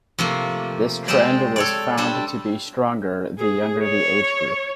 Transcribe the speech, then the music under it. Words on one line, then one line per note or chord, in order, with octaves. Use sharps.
This trend was found to be stronger the younger the age group.
C3 F3 A3 A#3
G#3 G4 A4 C5 D5
A4 C#5 D5
G3 D4 A4 C5
G#4
C#5